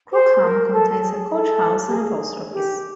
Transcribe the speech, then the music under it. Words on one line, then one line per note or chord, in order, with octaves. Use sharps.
Crookham contains a Coach House and a Post Office.
C5
A#4
A4
A4
G#4
A4
G4
G#4
G4